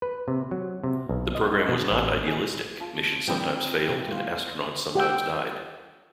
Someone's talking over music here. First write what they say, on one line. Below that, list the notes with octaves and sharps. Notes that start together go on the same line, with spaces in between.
The program was not idealistic; missions sometimes failed and astronauts sometimes died.
B4
C3
F#3
C3
B1
D#5
B2
A1
G#4
F4 A5
F3 C4 D4 A#4 G5 B5
C3
A3 F4
G4 F#5 G5 E6